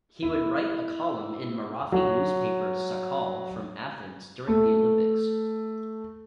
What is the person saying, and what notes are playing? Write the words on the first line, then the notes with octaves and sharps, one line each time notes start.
He would write a column in Marathi newspaper Sakal from Athens during the olympics.
E4
F#3
A3